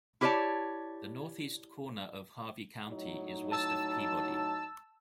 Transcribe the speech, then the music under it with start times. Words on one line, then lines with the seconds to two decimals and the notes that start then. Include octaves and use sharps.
The north-east corner of Harvey County is west of Peabody.
0.21 E4 G4 B4 C#5 D5 A5
2.89 A2 F#3 D#4
3.51 A5 E6